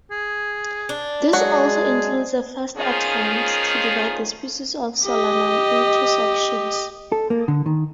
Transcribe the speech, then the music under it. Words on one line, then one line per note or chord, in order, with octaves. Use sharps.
This also includes a first attempt to divide the species of "Solanum" into sections.
G#4
D4
F#3 G#3 F#4 G#4
D#3 F3 C#4 D#4 F4 G#4
G4 D#5
A4
A#3
D3
D#3